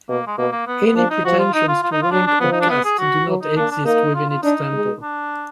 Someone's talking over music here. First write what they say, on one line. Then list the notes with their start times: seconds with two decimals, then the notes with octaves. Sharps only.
Any pretensions to rank or caste do not exist within its temple.
0.09 B2 A#3
0.27 G#3
0.38 B2 A#3
0.52 A#3
0.67 B3
0.87 B3
0.95 F3 D4
1.10 D#4
1.25 F3 F#4
1.39 F4
1.54 D#4
1.68 F4
1.83 F4
1.92 D#4
2.02 F4
2.11 F#3 D4
2.26 D4
2.40 F3 B3
2.52 D#4
2.61 D4
2.69 B3
2.84 G#4
2.99 F#4
3.28 F#3
3.42 D#4
3.56 A#3 D4
3.71 D4
3.85 A#3 D#4
4.15 F4
4.29 F4
4.43 D4 D#4
4.73 G#3
5.02 D4